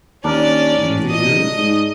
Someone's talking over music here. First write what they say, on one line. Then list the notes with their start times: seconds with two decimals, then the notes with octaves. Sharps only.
"Anything new?"
0.24 D#2 C#4 D4 A#4 D5
0.75 A1
1.10 D#5 D#6
1.57 G#2